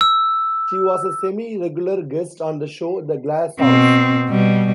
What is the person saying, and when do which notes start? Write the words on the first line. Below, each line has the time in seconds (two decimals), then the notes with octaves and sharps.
She was a semi-regular guest on the show "The Glass House".
0.01 E6
3.60 B2 C4
4.28 B2 G3